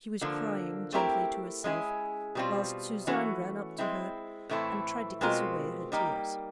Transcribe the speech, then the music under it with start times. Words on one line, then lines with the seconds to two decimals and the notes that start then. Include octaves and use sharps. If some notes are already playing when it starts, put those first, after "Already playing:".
She was crying gently to herself, whilst Suzanne ran up to her and tried to kiss away her tears.
0.21 D3 F3 A#3 D4
0.92 A3 C4 E4 G4 A#4
1.64 G#3 C#4 E4 G#4
2.35 B2 G3 C4 F4
3.07 E3 A3 C#4 F#4
3.78 G#3 C4 E4
4.49 A2 E3 A3 C4 E4
5.21 B2 G#3 C4 F4 A#4
5.92 G3 A#3 D#4 G4